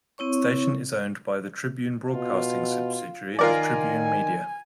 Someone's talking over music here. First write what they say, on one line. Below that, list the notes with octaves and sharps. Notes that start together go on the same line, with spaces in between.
The station is owned by the Tribune Broadcasting subsidiary of Tribune Media.
C4 E4 C#5 C#6
B2 F4
D#3 F4 A#4 D5 G#5